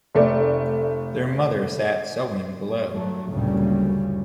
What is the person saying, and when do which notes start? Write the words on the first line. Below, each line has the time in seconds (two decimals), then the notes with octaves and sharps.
Their mother sat sewing below.
0.15 F1 A3 D5
2.92 G1 F#3 A3
3.31 F#1 D2 A#2 C#3 G3